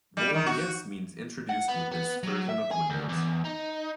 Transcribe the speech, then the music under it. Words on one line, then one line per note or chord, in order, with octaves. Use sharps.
Bold "Yes" means introduced with this version of Windows.
G3
D#3
F#4
F#5
B3
B3
F#3
E5
G#4
D2
E2
D#4